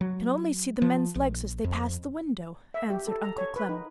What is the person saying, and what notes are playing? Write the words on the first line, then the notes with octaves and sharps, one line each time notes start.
"We can only see the men's legs as they pass the window," answered Uncle Clem.
F#3
F3
A#1
F2
E5
G4
A4
A#5
C#5
B4
D#4